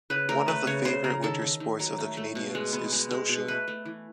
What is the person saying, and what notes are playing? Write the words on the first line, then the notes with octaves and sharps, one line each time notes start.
One of the favorite winter sports of the Canadians is snowshoeing.
C#3 B4
A3 A#4
A3 B4
C#3 C#5
C#3 C5
C#3 A#4
D#3 A4
D#3
D#3
F#3 A#4
A3
A3
B2
G#3
B3
G#3
G#3
B2
A3 B4
A3
E3